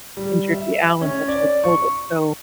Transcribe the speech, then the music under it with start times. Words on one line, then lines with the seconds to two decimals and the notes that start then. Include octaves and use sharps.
injured the owl and eventually killed it, so,
0.17 G3
0.51 E5
1.01 C#4
1.28 D5
1.64 C#6